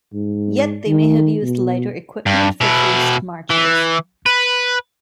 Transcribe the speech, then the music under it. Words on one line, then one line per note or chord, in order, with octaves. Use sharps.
Yet they may have used lighter equipment for forced marches.
G#2
D#3
B2
G2
B2 E4
E3
B4